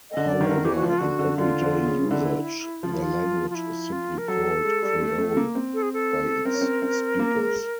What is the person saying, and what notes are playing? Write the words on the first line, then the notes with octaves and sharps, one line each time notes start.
However, in everyday usage the language is simply called "Creole" by its speakers.
D#5
D3
D5
D#3
D3 A#4
D#3
E3 G4
F#4
F3 F4
D3 F#4
D3
D3 F4
D3
C#3
D3 E4
F3 F4
E4
F4
F4
E4
F4
A#4
F#3 A4
G#3
G3
A3
A3
A#3
C4
A4
G#4
A4
C4 A#4
C#4
C4
C4
A#3
G#3